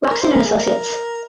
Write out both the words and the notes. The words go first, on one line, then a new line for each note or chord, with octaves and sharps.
Locsin and Associates.
A#4
C5
A#4
G#4
A#4